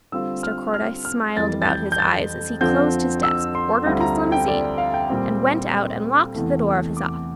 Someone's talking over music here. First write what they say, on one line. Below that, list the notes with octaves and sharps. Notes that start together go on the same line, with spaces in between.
Mr. Cordyce smiled about his eyes as he closed his desk, ordered his limousine, and went out and locked the door of his office.
D3 G3 C4 F4 E6
F6
F6
F6
F2 E3 G3 A6
A6
G6
G6
A6
F2 D3 F3 C4 F4 G6
E6
C6
D2 D3 G3 C4 F4
A#5
G5
D5
F5
G5
A#2 G3 C4
E2 C3 E3 A3
D6